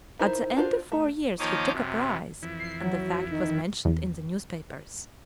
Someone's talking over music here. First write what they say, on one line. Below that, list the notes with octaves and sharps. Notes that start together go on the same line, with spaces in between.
At the end of four years he took a prize, and the fact was mentioned in the newspapers.
D#3 E4 C5
D4 F4 F#4 B4 C5
A3
D#3 F3 A#3 C#5 D#5 D6
F#2 C3
F2 E3 E4
C7
F#3
D#3
E2